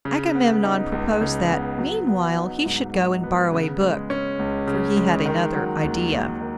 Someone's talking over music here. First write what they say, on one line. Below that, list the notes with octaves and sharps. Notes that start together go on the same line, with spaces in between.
Agamemnon proposed that, meanwhile, he should go and borrow a book; for he had another idea.
C#3
B3
D#4
C#2
C#3
B3
F#3
B3
D#4
G#2
F#3
B3
C#3
G#3
C#4
C#2
C#3
G#3
D#3
F#3
D#2
D#2
D#3